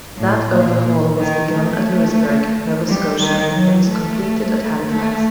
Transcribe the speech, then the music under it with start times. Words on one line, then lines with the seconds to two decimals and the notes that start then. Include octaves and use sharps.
That overhaul was begun at Louisburg, Nova Scotia but was completed at Halifax.
0.17 A2
0.51 A#2
1.18 D#3
1.52 A3
2.87 G3
3.21 D#3
3.54 F#3
3.88 A3
4.89 A3